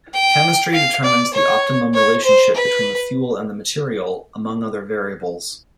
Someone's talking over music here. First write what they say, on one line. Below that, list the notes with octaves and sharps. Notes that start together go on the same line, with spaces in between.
Chemistry determines the optimum relationship between the fuel and the material, among other variables.
G5
F5
D5
C#5
C#5
C5
B4